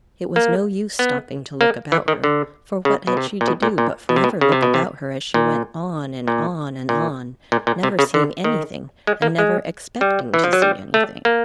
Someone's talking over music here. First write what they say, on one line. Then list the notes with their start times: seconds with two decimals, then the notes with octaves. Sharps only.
It was no use stopping to look about her, for what had she to do but forever look about her as she went on and on and on--never seeing any thing, and never expecting to see any thing!
0.36 A#3
0.99 B3
1.61 A#3
1.92 E3
2.08 D#3
2.24 D3
2.85 C#3
3.07 B2
3.17 C3
3.41 A#2
3.48 B2
3.62 A#2
3.78 A#2
4.09 B2
4.16 C3
4.24 B2
4.41 C#3
4.52 C3
4.63 B2
4.74 C3
5.34 A#2
6.28 A#2
6.89 A#2
7.52 A#2
7.67 A#2
7.83 C3
7.99 C#3
8.14 D3
8.44 D#3
9.07 G#3
9.22 A#3
9.39 G#3
10.01 G3
10.34 E3
10.44 F3
10.53 F#3
10.62 G3
10.94 A3
11.25 A#3